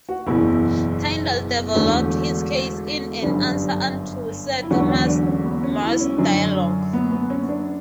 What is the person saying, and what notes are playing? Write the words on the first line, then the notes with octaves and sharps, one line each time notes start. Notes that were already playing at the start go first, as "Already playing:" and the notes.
Tyndale developed his case in "An Answer unto Sir Thomas More's Dialogue".
F#4
F#1 E2 B2 E4
E1 E2 D3 A3
G1 F#2 D3 G3 D4
E4
E1 E2 D3 F#3 A3 F#4
C#4
D4
C#4
B3
C#4
E4
C#4
F#2 D3 F#3
B3
B3
C#4
D4